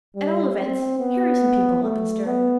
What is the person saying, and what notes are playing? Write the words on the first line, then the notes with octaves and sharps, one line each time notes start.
At all events here are some people up and stirring.
G3
C4
B3
A3
B3